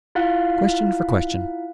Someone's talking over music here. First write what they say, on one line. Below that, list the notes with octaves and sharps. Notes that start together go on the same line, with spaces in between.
'Question for question.
E4 F4 F5 F#5 F#6